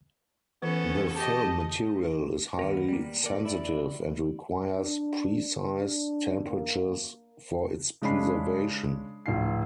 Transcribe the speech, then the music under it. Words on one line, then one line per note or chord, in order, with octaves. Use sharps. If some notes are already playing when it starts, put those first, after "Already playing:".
The film material is highly sensitive and requires precise temperatures for its preservation.
E3 B3 C#4 A4
G4 D#5 A5
D#2 B3 A#4
G3 A#3
A4 A#4 D5
E4 D5
D4
D4
A#3
C#3 G#3 C#4 D4 B5 C7
D1 A#1 F4 C7